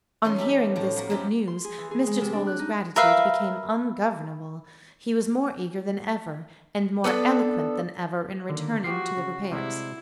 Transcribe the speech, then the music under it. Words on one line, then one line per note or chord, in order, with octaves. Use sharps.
On hearing this good news, Mr. Toller's gratitude became ungovernable: he was more eager than ever, and more eloquent than ever, in returning to the repairs.
E3 C#4 D#4 C6
G4 A4 B5
A2 F3
A#3 B3 A#4
F#2 F3 G#3 G4
C6
G#4
E3
G#4
G#3
C3
D4
F#6
D#4
A#4 B4 E5 F5
B3 D4 G#4 A4
D3 D#3 A#3
F3 F#4 G4 C7
C#3
C3 G3 G#3 E4